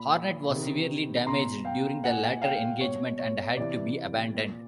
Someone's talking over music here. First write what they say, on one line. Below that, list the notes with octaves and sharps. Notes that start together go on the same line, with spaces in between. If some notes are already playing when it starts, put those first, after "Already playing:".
"Hornet" was severely damaged during the latter engagement and had to be abandoned.
Already playing: A#2 B5
C3 D#3
B2 A#5 C6
F5 G5
A#2 F#5 G#5
F5 G5
B2 C#5
C#5
C3 E3 D5
A#2